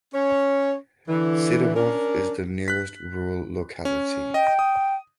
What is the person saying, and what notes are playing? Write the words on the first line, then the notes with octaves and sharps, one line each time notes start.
Sidorov is the nearest rural locality.
C#4 C#5
D3 E3
C#4 D4 A#4
F#6 B6
C#4
D#5 G5
D#6